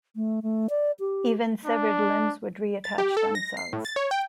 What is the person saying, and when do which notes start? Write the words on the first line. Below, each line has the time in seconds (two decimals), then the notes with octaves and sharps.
Even severed limbs would reattach themselves.
0.16 A3
0.43 A3
0.70 D5
1.00 G4
1.65 D4
2.84 A6
2.98 G4
3.17 A4
3.35 A#6
3.57 C7
3.73 A2
3.85 A6
3.96 C#5
4.11 G5